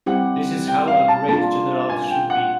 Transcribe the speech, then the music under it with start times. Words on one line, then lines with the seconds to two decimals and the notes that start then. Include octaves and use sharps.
This is how a great general should be.
0.06 G3 C4 E4 G4 F#5
0.67 G5
0.88 F5
1.08 A5
1.28 A#3 D4 F4 A5
1.90 G#5
2.10 G5
2.30 F#5